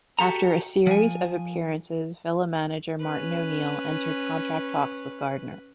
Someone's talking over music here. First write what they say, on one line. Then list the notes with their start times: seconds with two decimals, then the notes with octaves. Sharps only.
After a series of appearances Villa Manager Martin O'Neill entered contract talks with Gardner.
0.19 F#4 G4 A4 A#5
0.87 F3 G#5
3.00 C#4 B4